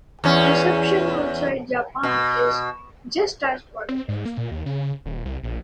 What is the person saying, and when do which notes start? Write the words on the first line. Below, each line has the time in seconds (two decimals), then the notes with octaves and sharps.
Reception outside Japan is just as positive.
0.24 E2 C#4
2.03 B2
3.89 C4
4.08 G#2
4.25 A#3
4.38 A#2
4.51 D#2
4.66 C#3
5.06 D#1
5.25 C2
5.43 A#1